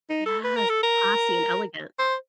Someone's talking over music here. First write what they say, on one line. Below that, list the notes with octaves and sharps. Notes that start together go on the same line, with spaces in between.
Yes, it's classy and elegant.
D#4
A4
B4
A#4
A4
A#4
C5